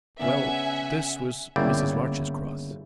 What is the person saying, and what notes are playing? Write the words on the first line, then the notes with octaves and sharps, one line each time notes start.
Well, this was Mrs. Larch's cross.
C#3 B3 D4 E5 F#5 G#5
G1 C#3 A#3 E4 D5 G5